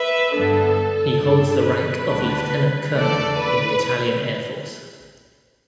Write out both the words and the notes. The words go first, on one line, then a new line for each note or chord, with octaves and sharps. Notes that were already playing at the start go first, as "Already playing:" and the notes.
He holds the rank of lieutenant colonel in the Italian Air Force.
Already playing: B4 E5
G2 D3 B3 D4 A4
G2 G3 D4 A4
B4
D2 D3 G3 D4
E2 D3 A3 D4 A4 D5
B4